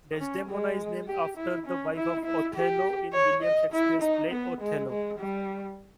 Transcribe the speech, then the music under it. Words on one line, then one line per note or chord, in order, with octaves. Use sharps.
Desdemona is named after the wife of Othello in William Shakespeare's play "Othello".
C#4
G#3
G4
E4
C#4
E4
E4
G4
C#5
D#5
E4
D#4
B3
G#3
G#3
G3